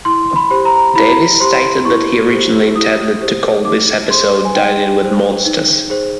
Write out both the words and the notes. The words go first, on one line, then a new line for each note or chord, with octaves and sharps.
Davies stated that he originally intended to call this episode "Dining with Monsters".
E4 C6
B5
G4 C5
A#5
E4 B5
G4 C5 C6
E4 C#6
G4 C5
E4 D#6
G4 C5
D#4 D6
G#4 C5 C6
G#5
D#4 G5
G#4 C5
D#4
G#4 C5